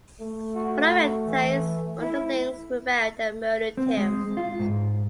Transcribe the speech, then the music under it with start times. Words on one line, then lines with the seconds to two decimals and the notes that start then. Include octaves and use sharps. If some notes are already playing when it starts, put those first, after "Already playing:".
One of Atai's underlings rebelled and murdered him.
0.21 A3
0.55 F#4
1.26 E3
2.01 E4
3.77 C4
3.97 G#3
4.37 F4
4.59 G#2